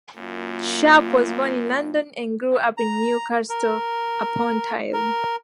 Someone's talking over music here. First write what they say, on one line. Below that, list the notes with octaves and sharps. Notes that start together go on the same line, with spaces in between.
Sharp was born in London and grew up in Newcastle upon Tyne.
F#2 A#3 F4
A#5
A#4
A#4